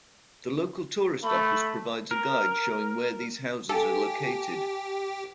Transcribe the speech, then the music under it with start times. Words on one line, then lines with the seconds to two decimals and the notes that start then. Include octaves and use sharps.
The local tourist office provides a guide showing where these houses are located.
1.23 A3 B5
2.11 A#4
3.69 G4 A4 F5 G#5 A5